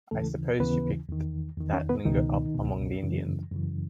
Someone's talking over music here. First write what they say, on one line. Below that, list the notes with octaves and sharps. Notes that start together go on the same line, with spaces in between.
I suppose you picked that lingo up among the Indians.
D#2 C#3 E3 A3 A4
D#2 C#3 E3 B3 B4
E2 D#3
E2 D#3
C#4 C#5
B3 B4
C#2 B2 D#3 D#4
C#2 B2
F#2 C#3 E3
F#2 C#3 E3